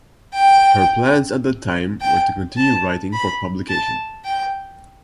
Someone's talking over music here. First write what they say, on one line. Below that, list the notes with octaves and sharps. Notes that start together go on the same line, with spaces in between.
Her plans at that time were to continue writing for publication.
G5
G5
A5
B5
A5
G5